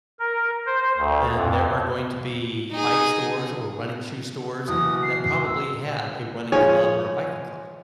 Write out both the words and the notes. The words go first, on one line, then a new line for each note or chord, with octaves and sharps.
then there are going to be bike stores or running shoe stores that probably have a running club or a biking club.
A#4
C5
D2
F2
D#4 G#4
F#1 B2 E3 D#6
C7
C6
D2 E6
F3 G#4 C#5 G#5